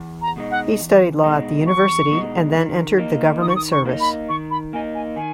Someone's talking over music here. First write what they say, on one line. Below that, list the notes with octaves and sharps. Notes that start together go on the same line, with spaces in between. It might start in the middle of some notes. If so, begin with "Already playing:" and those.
He studied law at the university, and then entered the government service.
Already playing: E2
A#5
B2 G#3 D#4
F#5
E2
B2 G#3 D#4
E2 C#6
B2 G#3 D#4
D#3
A#3 D#4
D#3 D#6
C#6
D#6
C#6
A#3 D#4
B5
D#3 C#6
B5
A#3 D#4 G#5
G#5
D#3 G#5